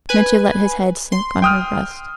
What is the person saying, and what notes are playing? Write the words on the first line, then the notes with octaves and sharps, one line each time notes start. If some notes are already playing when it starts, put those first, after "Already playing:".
Mitya let his head sink on her breast.
B4 G#5
C6
G5 D#6 F6